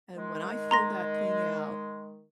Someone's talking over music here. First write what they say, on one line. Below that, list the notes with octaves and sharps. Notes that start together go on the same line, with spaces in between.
and when I filled that thing out
D#3 G#3
A#5 C6 A#6